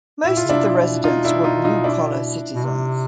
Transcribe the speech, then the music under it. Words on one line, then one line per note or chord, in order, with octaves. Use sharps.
Most of the residents were blue collar citizens.
A#2 E4
F4
C#3 D4 E4
C3
B2
B2 D#4 F4
D4 E4
D#4 F4
D#4 F4
D4 E4
B2
C3